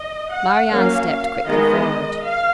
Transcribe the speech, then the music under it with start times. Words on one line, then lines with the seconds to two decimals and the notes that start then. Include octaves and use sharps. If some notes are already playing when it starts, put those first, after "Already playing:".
Marie-Anne stepped quickly forward.
Already playing: D#5
0.30 F#5
0.69 F#3 A#3 C#4 F5
1.46 D#3 G#3 B3 D#5
2.24 F5